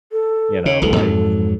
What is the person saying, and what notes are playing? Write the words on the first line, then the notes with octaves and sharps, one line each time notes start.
You know, like
A4
C#3 C#5
F#1 C#2 E3 A4
F2 G#2 F#3